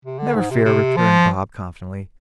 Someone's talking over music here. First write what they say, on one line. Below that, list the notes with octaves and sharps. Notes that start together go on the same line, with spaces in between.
"Never fear," returned Bob confidently.
C3
D3
G#2
C3
C3
F3